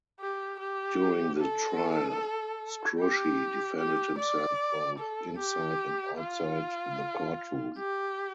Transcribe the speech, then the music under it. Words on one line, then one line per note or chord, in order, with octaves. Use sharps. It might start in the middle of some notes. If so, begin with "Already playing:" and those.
During the trial, Scrushy defended himself both inside and outside the courtroom.
G4
G4
A4
G4
G4
D5
A4
G4
F4
G4